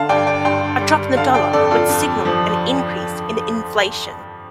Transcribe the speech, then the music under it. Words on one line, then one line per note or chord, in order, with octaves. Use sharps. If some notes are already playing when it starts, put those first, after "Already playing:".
A drop in the dollar would signal an increase in inflation.
Already playing: D3 F5 A5
G2 D5 G5
D5 G5
G2 G5 C6
G3
D3 F5 A5
D5 G5
F2 A4 D5
F4 A4
F2
F3